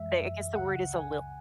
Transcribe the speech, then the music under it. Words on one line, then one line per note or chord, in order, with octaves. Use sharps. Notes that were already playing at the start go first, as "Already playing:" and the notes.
They I guess the word is a lilt.
Already playing: F#2 E3 G#3 E5
C#2 C#3 G#3 F#5
G#5